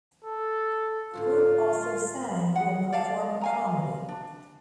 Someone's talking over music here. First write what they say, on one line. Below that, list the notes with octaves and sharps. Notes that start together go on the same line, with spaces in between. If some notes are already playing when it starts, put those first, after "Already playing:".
The group also sang and performed comedy.
A4
A2 D3 F4 F#4
G#4 F#5
D5 F5 A5
F5 G#5 A#5
D4